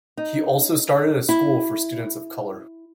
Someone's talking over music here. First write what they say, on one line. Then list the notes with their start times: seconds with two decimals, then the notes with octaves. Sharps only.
He also started a school for students of color.
0.17 D#4
1.29 E4